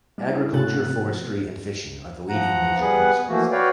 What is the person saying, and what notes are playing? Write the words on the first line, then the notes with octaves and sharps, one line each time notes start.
Agriculture, forestry and fishing are the leading major industries.
G3 E4
G#2 C3 A3 F#4 F#6 A6
C3
F3 B3
F3 F#5 A#5
G3 B3 G#4 B4 F#5
E3 F3 A3 A#3 F#4
F#4 B4 C#5 D5 F5 G5